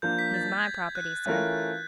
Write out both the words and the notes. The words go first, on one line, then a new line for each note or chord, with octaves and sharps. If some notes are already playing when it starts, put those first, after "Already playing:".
"He's my property, sir."
F3 A#3 D4 G6
B6
A6
G#6
F#6
E3 A3 C#4 F4 A#4 F#6